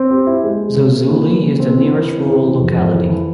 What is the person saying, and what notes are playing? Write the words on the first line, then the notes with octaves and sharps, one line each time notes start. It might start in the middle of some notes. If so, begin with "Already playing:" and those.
Zozuli is the nearest rural locality.
Already playing: C4
G4
E4
G#3
G#3
C3
A#3
E3
A#3
C#3
C4
E3
E3
C4
E3
C3
F2
F2
E3
E3